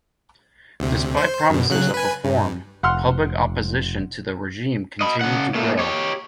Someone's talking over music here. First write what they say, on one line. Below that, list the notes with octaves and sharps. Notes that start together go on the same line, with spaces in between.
Despite promises of reform, public opposition to the regime continued to grow.
D2 C3
C5
F#2 B2
C#3 F#3 F#6
B4 G#5
G2
F1 F#5 C6 F6
D#5 B5
C#3 F#5
A#2 A3
G4 C#5